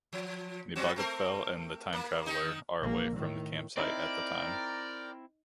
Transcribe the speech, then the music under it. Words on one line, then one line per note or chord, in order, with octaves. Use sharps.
Nebogipfel and the Time Traveller are away from the campsite at the time.
F3
F#3 C4 F#4
A3 C4 A#4
A#3
D#3 D#4
A#1 A#3
A2 D#3
C4 D#4 E4 A#4 D5 D#5 G5 A#5